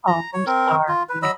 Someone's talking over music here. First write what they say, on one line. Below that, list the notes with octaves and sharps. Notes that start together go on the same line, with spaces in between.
Oh, I'm sorry.
A#5
C#5
C4 A#4
F4
B4
F#3 D#5 B5 E6